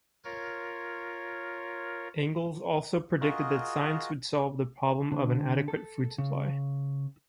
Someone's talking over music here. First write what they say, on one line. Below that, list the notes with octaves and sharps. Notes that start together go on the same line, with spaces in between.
Engels also predicted that science would solve the problem of an adequate food supply.
F4 A#4 C#5
F4 F#4 G#4 A#4 D#5
D3
A4
C#3